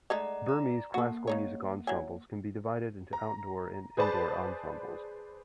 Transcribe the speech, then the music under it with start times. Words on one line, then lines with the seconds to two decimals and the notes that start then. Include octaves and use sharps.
Burmese classical music ensembles can be divided into outdoor and indoor ensembles.
0.10 G#3 A3 D#4 D5 F#5 A#5
0.46 D5 A#5
0.94 A#3 F#4 A4 F#5
1.27 C#3 D#4 C#5
1.87 F#3 E4 G#5
3.13 A#5
3.97 G#4 B4 C5 D5 A5 B5